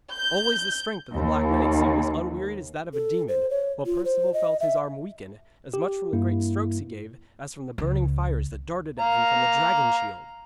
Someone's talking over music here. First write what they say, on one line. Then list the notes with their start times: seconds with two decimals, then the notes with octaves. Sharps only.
Always the strength of the Black Knight seemed as unwearied as that of a demon, while Perceval felt his arm weaken, as much from the great strokes he gave, as from the burning fires that darted at him from the dragon shield.
0.13 G6
1.14 D#2
2.93 A4
3.28 C5
3.50 C#5
3.86 F4
4.05 C5
4.34 D#5
4.60 E5
5.74 G4
6.13 G2 A#3 E4
7.78 C#2
9.00 F5 A#5